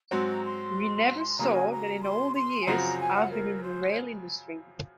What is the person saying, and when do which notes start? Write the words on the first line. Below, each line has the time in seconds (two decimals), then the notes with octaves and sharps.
We never saw that in all the years I've been in the rail industry.
0.11 G#2 F#3 C4 F#4 C6
0.28 A#5
0.44 C6
1.38 C#3 F#3 A#3 C#4 F#4 A#5
1.56 G#5
1.71 A#5
2.03 C6
2.35 C6
2.62 G#5
2.66 F#2 C#3 F3 C4 F#4 A#5
2.99 G#5
3.15 F#5
3.31 A#4
3.63 C5
3.86 C#5